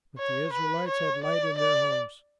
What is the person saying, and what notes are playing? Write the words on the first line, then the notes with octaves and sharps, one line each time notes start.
But the Israelites had light in their homes.
C#5
B4
C#5
D5
D5